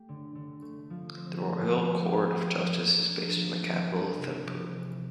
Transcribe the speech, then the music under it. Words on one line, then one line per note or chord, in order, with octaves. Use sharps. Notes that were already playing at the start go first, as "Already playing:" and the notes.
The Royal Court of Justice is based in the capital Thimphu.
Already playing: A3 G4
D3
D3
A3
F3
C4
A3
G4
F3
G4
F3
A#3
D4
F3
F3
D4
C3
C3
E3